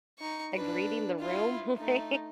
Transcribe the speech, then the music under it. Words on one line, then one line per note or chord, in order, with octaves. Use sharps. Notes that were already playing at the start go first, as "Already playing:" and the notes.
like, reading the room, like,
D#4 C#6
D4 B4
E4 F4
A3 D#4